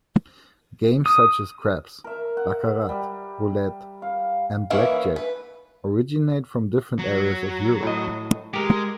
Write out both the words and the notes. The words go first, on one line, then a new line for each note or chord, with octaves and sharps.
Games such as craps, baccarat, roulette, and blackjack originate from different areas of Europe.
D#6
A#4 E5
F#5
G3
F5
D#3 E3 A#3 C#4 E4
B4
F#3
A2 D#5
G#3 G4 A#4